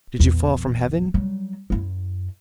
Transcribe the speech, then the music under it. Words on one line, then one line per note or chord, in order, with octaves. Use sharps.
Did you fall from heaven?
A#1 E2
F#3 G3
F#2 E4